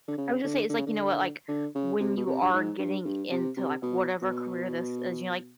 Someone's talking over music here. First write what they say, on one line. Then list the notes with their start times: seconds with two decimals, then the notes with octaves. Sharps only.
I would just say it's like, you know what? Like, when you are getting into, like, whatever career this is, you know, like
0.08 D3
0.18 C#3
0.44 D3
0.70 D3
0.78 C#3
0.87 D3
1.48 D3
1.75 C#3
2.00 C3
2.17 B2
2.27 C3
2.42 G2
2.53 G#2
2.79 G2
3.05 G2
3.31 C3
3.57 C3
3.82 B2
4.22 B2